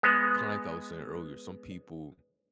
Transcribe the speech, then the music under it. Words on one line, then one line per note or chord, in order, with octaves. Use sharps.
kinda like I was saying earlier, some people
G#3 B3